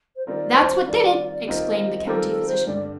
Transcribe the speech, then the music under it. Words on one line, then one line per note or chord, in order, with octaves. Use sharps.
"That's what did it!" exclaimed the county physician.
C5
D#3 G3 C4 F4 A#4 D5
C5
D#3 G3 C4 F4 A#4 D5
D#3 G3 C4 F4 A#4 D#5
D#3 G3 C4 F4 A4 A#4
A4
C5
G2 D3 G3 D5